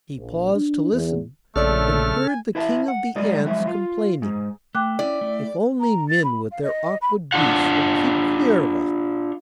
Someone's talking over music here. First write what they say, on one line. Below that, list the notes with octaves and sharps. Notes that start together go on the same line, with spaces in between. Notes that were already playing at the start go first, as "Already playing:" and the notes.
He paused to listen, and heard the King of the Ants complaining: 'If only men with their awkward beasts would keep clear of us!
A#1
D4
E2
A#1 C#3 A3 A4 C#5 D5 F6
G#5
E4 B4 E5 A5
F#5
F#2 G3 G#3 D5 D#5
F3 F#3 G#3 E5
F4
G#2
A3 G5 D6 F#6
C#4 E4 D5
A3 E4
A#5
A6
B5
F5
D#5
B5
D4 F4 F#5